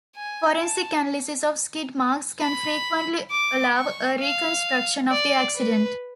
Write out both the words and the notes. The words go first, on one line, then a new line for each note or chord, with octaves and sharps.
Forensic analysis of skid marks can frequently allow a reconstruction of the accident.
G#5
A5
B5
D6
C#6
F5
D5
B4